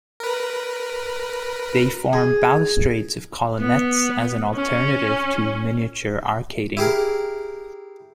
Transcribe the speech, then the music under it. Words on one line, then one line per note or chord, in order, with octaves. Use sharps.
They form balustrades of colonnettes as an alternative to miniature arcading.
A#4 B4
G#4
B3
C#4
E4 G4 G#4 A#4